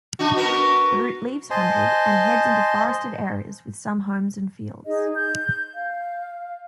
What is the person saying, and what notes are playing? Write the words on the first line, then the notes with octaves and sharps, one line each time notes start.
The route leaves Hundred and heads into forested areas with some homes and fields.
D4 D#4 F#4
B3 F#4 A#4
C5 D#5 G#5 A5 C6
D#4 G#4 D#5
G6
F5